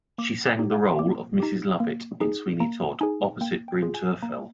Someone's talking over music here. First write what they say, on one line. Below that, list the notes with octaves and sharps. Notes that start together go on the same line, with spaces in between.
She sang the role of Mrs. Lovett in "Sweeney Todd" opposite Bryn Terfel.
A#3 D6
D6
D#4 G4
F5
C6
A#3 D6
D#4 G4
A#3
D#4 G#4
A#3 A#5
D#4 G#4 G#5
A#3 G5
G5
F4 G#4
G#5
A#3 A#5